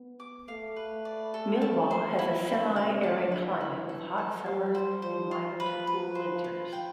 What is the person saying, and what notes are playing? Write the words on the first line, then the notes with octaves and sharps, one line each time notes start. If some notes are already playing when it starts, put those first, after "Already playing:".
Mullewa has a semi-arid climate with hot summers and mild to cool winters.
Already playing: B3
D6
A3 F5
B4
D5
A4
A5
C5
F3 E4
D3 E4
C3 D5
D3 A5
E3 E4
E4
A4
A4
G3 F5
C5
F3 C5
F4
B4
B4
C5
F4
G5